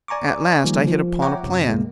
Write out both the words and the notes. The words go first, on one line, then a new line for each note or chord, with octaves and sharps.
At last I hit upon a plan.
D5 G#5 A#5 C#6 D6
D#3 F3 G3 A#3
F3 F4
C#5 E5 F#5 G5 A#5 D6
F#2 C3
C#2 G2 G#3 A#3